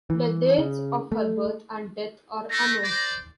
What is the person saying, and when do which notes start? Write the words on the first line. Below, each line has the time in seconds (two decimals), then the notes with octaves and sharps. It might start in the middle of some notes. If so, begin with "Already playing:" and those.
The dates of her birth and death are unknown.
0.10 E3
0.58 C#3
1.12 A3
2.50 A3 A#6
2.82 C5 D5